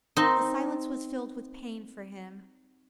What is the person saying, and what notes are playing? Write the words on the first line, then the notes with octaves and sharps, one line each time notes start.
The silence was filled with pain for him.
C4 D#4